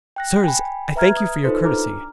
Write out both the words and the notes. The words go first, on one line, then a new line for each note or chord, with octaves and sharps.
'Sirs, I thank you for your courtesy.
G5 F#6 A#6
G5 G#5 B5
B4 E5 A#5 F6 G#6
D#6
D#4 F4 A4 B4 C5
D4 A#5 D6 F6